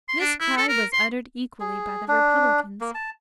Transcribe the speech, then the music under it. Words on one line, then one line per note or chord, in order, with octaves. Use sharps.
This cry was uttered equally by the republicans.
C6
D4
E4
A4
A#4
C6
G#4
D4
A#3
A5